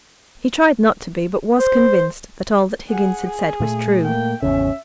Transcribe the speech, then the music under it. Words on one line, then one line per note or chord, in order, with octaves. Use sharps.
He tried not to be, but was convinced that all that Higgins had said was true.
C5
G#4 F#5
G#4
A#2 A3
A#3 G5
G#1 E2 C#3 C#4 E5